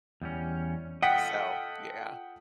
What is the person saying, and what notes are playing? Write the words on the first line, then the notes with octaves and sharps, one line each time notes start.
So, yeah.
E2 G3 C#4
F4 A4 D#5 F#5 G5 B6